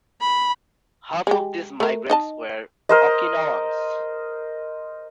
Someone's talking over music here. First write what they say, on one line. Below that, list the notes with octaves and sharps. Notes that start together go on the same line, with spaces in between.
Half of these migrants were Okinawans.
B5
G#3 G4
A3 A#4
D#4 D#5 A5
A#4 C5 D#5